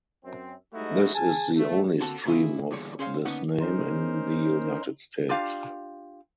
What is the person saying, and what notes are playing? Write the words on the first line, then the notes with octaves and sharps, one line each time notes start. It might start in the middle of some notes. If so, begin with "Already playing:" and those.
This is the only stream of this name in the United States.
F#2 C4
G#2 G3 A3 D#4 E4 F#4
G#4 G#5 A5
A3
D3 A#3 C4 F#4 A4
G#2 C#3 E4 F4 G#4
E2 A#2 D3 G3 C#5
C#4 G#4 C5 C#5 D#5 F5
D3 A#3 B3 C#4 D#4 F#5
C#4 D#4 A#4 C5
D4 F4 G4 F5